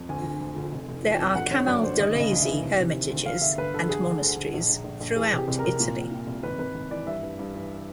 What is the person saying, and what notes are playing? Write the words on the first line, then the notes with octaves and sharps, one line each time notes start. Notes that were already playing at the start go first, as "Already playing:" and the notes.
There are Camaldolese hermitages and monasteries throughout Italy.
Already playing: F2
D2 G#5
D2
D2
D2
F1
F1
E3
F2
G1 F#5
G1 C#5
F#2 D5
G1 C5
D#2 D#5
C#3 D#5
D#2
E5
E3
C3
C3
D#3
D2
G1 F5
G1 E5
G1 B4
D3 A4
D3 G#4
D3
D2
D2
A#1
A#1
A#1
A#1
E3 G#4
C3
G4
C2
A#4
C2
A#2
A#2
A#2
C2
G#1 B4
G#1 B4
G#1
E3 D5
G2 E5
G2
G2
E3